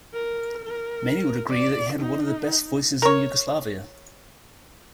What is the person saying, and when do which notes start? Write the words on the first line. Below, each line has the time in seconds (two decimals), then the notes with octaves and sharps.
Many would agree that he had one of the best voices in Yugoslavia.
0.13 A#4
0.64 A#4
1.49 D5
1.99 D#4
3.02 A#4 C#5